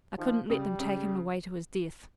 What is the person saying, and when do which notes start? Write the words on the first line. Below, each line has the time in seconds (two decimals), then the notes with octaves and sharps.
I couldn't let them take him away to his death.
0.18 D#3 F3
0.49 C#3 G3
0.80 C#3